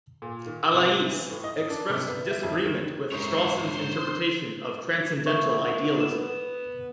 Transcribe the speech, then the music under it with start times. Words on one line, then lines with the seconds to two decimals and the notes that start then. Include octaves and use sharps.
Allais expressed disagreement with Strawson's interpretation of transcendental idealism.
0.22 A#2
0.46 D#3
0.74 C3
1.09 E3
1.30 A2
1.44 D#5
1.70 D4
1.90 C3
2.08 B3
2.31 E5
2.43 F2
2.65 D#3
3.12 G#2 C#4 D4 A#4 C5 C#5 E5
3.69 C6
5.26 G#2 B2 A#3 A#4 E5 C#6
6.00 B3 E7